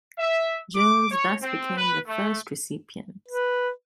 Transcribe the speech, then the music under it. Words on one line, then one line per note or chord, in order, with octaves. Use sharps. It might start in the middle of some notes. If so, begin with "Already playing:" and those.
Jones thus became the first recipient.
E5
D6
C#5
C4
B4
A3
B4